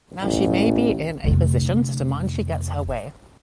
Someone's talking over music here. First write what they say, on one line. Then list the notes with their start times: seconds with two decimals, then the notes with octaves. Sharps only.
Now she may be in a position to demand she gets her way.
0.22 A1
1.24 F1 D3